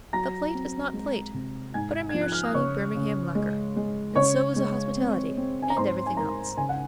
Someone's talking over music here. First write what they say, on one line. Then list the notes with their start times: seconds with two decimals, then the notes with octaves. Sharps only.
The plate is not plate, but a mere shiny Birmingham lacquer; and so is the hospitality, and everything else.
0.13 F#3 A#5 A#6
0.54 C4
0.93 G#3
1.34 C3
1.74 G#2 G#5 G#6
2.09 F3 G#6
2.21 F#6
2.32 F6
2.43 D#6
2.54 C#3 C#5 C#6
2.95 C#3
3.35 G#3
3.76 G#3
4.15 C#3 C#5 C#6
4.56 G#3
4.96 C4
5.37 C4
5.62 G#5
5.70 A#5
5.77 G#2 C5 C6
6.06 G#5
6.17 G#2 A#4 A#5
6.57 C#3 G#5
6.69 F#5